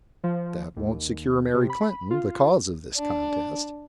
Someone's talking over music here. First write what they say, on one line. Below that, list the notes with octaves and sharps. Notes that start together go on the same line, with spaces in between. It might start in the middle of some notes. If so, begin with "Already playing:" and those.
"That won't secure Mary Clinton, the cause of this contest."
F3
D#2
C3
B5
F4
D4